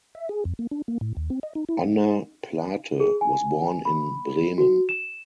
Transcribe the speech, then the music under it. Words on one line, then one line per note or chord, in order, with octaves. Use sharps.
Anna Plate was born in Bremen.
E5
G#4
F2
A#3
D4
A#3
A2
D#2
C4
D#5
D#4
E4
G#4
G#5
B5
F#4
E7